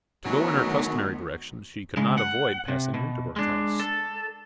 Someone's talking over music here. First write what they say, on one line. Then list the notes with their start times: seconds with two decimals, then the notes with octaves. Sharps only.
To go in her customary direction she could not avoid passing Winterborne's house.
0.25 F#2 B2 D#3 F#3 A3 B3
1.97 C#3 G#3
2.18 F#5
2.68 C3
2.94 B2
3.36 G#3 D4
3.80 A4